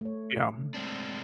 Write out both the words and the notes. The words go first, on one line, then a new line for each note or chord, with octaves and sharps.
yeah, um
A3 C#5
G#3 C4 D4